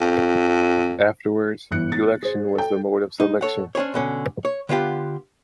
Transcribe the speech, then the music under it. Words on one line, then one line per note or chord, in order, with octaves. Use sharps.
Afterwards, election was the mode of selection.
F2
G1 E3 F#6 C#7
A6
G#4 C5
A4 G5
D#4
A4 C#5 F#5
C#4 D4 G#4 C5 C#5
B2 D3 C#4
C#5
D3 B3 F4 G4